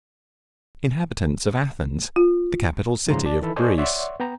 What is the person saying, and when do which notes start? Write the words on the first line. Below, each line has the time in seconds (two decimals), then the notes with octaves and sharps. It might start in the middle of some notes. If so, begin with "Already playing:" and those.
Inhabitants of Athens, the capital city of Greece.
2.16 F4
3.07 D2 G#2 C#3 F3 A#5 C6
3.26 D5 A5
3.41 D#3 E3 A4 B5
3.56 A4 C5 D5 D#5 G#5 C#6
3.78 C#5 D5 E5 F#5 C6 C#6
4.20 B3 G5 A#5